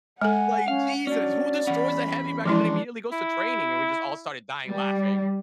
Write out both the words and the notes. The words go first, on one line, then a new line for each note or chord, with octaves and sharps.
Like, Jesus, who destroys a heavy bag and then immediately goes to training, and we just all started dying laughing,
G#3 A4 F#5 G#5
C#4 F5
F#3 C#4 D4 D5
E2 C#4 F#5 B5
E3 F3 G#3 C#4 D4 E4 C6
E4
G3